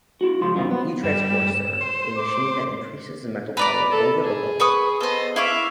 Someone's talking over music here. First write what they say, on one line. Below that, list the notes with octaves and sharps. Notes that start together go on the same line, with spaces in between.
He transports to Earth a machine that increases his mental power over the Hulk.
E4 F#4
C#2 F3 C6
F#2 B2 D#3 E3 C4 F4
B3
G2 G3 E7
C5
D6
B4 D5 A#5 D6
A4
G#4
B4 C#6 D#6
B3 A4 C5 D#5
E4 E5 F5 C#6 D6